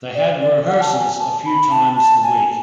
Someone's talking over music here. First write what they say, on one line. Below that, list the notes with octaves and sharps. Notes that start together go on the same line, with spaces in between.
They had rehearsals a few times a week.
D5
D5
F#5
A5
G#5
A5
B5
A5
A5
G#5